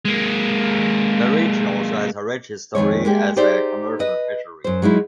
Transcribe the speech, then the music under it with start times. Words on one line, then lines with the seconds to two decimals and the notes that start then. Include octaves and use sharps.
The region also has a rich history as a commercial fishery.
0.05 G#3 A#3
2.75 F2 D#3 G#3 C#5
3.05 G#3 A#3 G4
3.36 D#4 G4 G#4 C5 D5 E5
3.99 B4 D#5
4.64 F#2 C5
4.82 F#3 G#3 D#4 E4